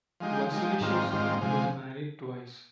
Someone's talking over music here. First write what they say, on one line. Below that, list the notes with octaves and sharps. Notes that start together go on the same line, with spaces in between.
Vasili Shuisky was married twice.
F3 G#3 D#4 G4
F3 G#3 D#4 G4
G#2 D#3 G3 C4 F4
G#2 D#3 G3 C4 F4
C3 F3 G#3